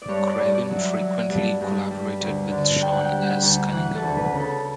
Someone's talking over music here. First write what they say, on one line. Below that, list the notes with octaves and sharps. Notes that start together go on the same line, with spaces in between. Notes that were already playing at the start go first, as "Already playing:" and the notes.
Craven frequently collaborated with Sean S. Cunningham.
D5
G2 C#5
D5
G2
D5
F#3
E5
F#3
G2
G2
G3
D2
D3
D2 G5
F#5
G5
G3
F#5
G5
D2
E3 F#5
A4
D2
B4
C#3
A4